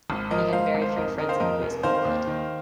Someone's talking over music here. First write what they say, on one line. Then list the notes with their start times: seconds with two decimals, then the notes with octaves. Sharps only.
He had very few friends in the baseball world.
0.10 G#1
0.30 F3 A#4 D#5
0.53 G#2 C5 F5
0.75 G#1
0.82 C5 F5
0.96 F1 A#4 D#5
1.07 D#4
1.18 D#3 A#4 D#5
1.29 C5 F5
1.40 F2 A#4 D#5
1.61 F1
1.83 D#3 C5 F5
2.05 D#2
2.27 D#3